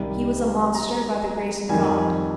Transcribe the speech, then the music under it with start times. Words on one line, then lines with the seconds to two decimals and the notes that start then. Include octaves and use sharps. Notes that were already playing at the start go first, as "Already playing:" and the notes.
He was a monster by the grace of God.
Already playing: C2 C3 D#3 G3
0.75 A#5
1.69 F2 D#3 G3 G#5